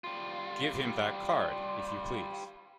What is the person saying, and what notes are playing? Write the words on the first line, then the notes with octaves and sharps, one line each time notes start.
Give him that card if you please.
G3 F4